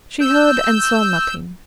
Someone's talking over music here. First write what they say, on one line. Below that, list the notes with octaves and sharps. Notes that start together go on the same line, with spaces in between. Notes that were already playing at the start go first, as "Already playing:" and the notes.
She heard and saw nothing.
E6 G6